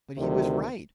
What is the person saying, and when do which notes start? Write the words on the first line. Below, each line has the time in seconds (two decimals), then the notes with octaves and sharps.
But he was right.
0.17 D2 C3 D#3